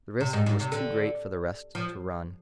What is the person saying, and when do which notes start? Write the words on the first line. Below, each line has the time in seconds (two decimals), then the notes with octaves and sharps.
The risk was too great for the rest to run.
0.21 C3
0.33 G#2
0.46 G#2
0.60 C3
0.72 D3
1.75 F3